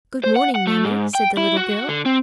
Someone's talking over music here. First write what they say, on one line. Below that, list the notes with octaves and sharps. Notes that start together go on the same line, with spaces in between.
"Good morning, mammy," said the little girl.
C5
F#5
F#5
A3
G#2
G5
E4
F#4
D3
C4